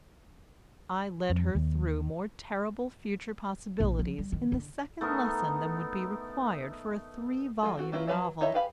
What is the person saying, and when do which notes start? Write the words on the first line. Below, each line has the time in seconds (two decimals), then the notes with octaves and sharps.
I led her through more terrible future possibilities in the second lesson than would be required for a three-volume novel.
1.30 F2
1.55 D#2
3.80 A#1
3.99 F3
4.18 G3
4.32 D#3
4.52 D3
5.01 A3 B3 D#4 A#4
7.63 F3 G#3 A4
7.78 C4 F#4 A4
7.92 A#3 C#4 E4 F4 B4
8.07 F#3 F4 B4 C#5 E5
8.41 D#4 E4 C#5 D#5 E5
8.54 G4 G#4 B4 F5 B5